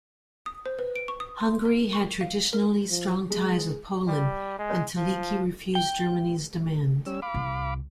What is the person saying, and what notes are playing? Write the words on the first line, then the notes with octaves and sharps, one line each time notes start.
Hungary had traditionally strong ties with Poland, and Teleki refused Germany's demand.
D#6
C5
B4
D7
C#6
D#6
C6
A#4
C#6
F5
A#4
F3
G#3 G#4
G3
G#3
F3
G5
G3 C#4 E6
F5 B5 D6
C2